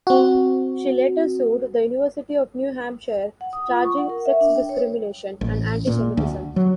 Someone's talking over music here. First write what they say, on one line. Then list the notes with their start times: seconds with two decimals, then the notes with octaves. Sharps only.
She later sued the University of New Hampshire charging sex discrimination and anti-Semitism.
0.07 C4 F#4
3.41 F#5
3.53 D#6
3.68 F4
3.84 C#6
3.98 F#5
4.09 A#4
4.26 E5
4.41 D4
4.56 G5
4.69 C#5
5.41 A1
5.87 A#2
6.17 D2
6.56 F#3